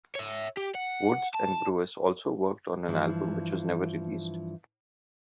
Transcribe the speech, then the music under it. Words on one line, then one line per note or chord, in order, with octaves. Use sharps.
Woods and Brewis also worked on an album which was never released.
C#5 E5
G4
F#5
A5
G2 E3 F3